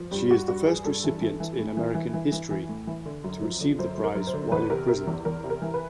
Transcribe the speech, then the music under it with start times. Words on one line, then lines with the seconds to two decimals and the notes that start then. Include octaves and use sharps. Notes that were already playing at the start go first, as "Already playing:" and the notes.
She is the first recipient in American history to receive the prize while imprisoned.
Already playing: F3
0.11 G2 G4
0.30 G2 F#4
0.48 G2 F#4
0.67 G2 G#4
0.85 G2 A4
1.04 E3
1.21 E3
1.40 E3
1.58 A2
1.77 E3
1.95 E3
2.14 E3
2.32 E3
2.51 E3
2.69 A2
2.87 E3
3.05 D3
3.24 F#2
3.42 F3
3.61 D3
3.79 F#2 C5
3.98 F#2
4.04 A#4
4.15 F#2
4.27 C5
4.33 D3
4.52 E2 B4
4.70 C3 A#4
4.88 C3 A#4
5.07 E2
5.25 E2 A#4
5.44 C3
5.50 A#4
5.62 E3
5.74 B4